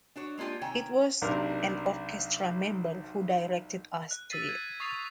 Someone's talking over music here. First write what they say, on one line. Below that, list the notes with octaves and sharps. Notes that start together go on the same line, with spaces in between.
It was an orchestra member who directed us to it.
D4 F#4 C#5
G#3 A#3 D4 F4 G4
C3 D#3 C#5 G5 G#5 A#5
B1 C3 D4 A#4 C6 D6
F#6
E6 A6 B6 C7 D#7
G#6
C#6 D#6 A6 C7 F7